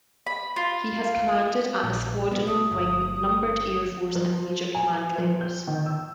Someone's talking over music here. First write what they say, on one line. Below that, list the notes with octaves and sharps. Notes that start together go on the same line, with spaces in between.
He has commanded at the squadron, wing, numbered air force and major command levels.
B5
F4
A#1
B2
A3 D#6
G1
F3
G#5
F3
G6
D#3
E6